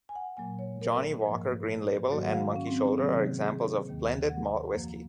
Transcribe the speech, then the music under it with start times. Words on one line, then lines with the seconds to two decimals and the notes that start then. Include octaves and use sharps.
Johnnie Walker Green Label and Monkey Shoulder are examples of blended malt whisky.
0.09 G#5
0.15 F#5
0.37 A#2 F#3 A#3 G#5
0.59 C#5
0.82 A#4
1.25 G#2 F3 A#3
2.12 G#2 D#3 F#3 A#3 F#4
2.23 F#5
2.33 F5
2.56 C#4
2.67 C4
2.78 C#4
2.88 G#4
2.99 C3 D#3 F#3 A#3
3.42 G#4
3.87 D#2 D#3 A#3
4.29 F#5
4.73 F#2 F3 A#3